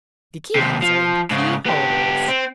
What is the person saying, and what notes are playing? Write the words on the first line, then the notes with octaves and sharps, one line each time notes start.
The keys are in the keyholes.
D#2 C3
F3
G#2 C#3
B3 G4
C4